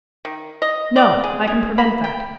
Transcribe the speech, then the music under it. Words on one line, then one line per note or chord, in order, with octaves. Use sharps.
"No, I can prevent that."
D#3
D#5
D5
G#4
G#4
B5
G5